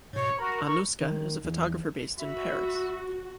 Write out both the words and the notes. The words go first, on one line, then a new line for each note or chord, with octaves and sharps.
Anouska is a photographer based in Paris.
G#2 B2 C#5
F#4 A#4 B5
A#4 C#6
D#3
E2
F#4 E5 B5